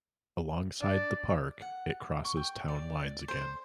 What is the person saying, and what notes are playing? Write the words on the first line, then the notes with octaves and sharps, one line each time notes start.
Alongside the park, it crosses town lines again.
D4 D5
F#5
C#6
G5
D5
C5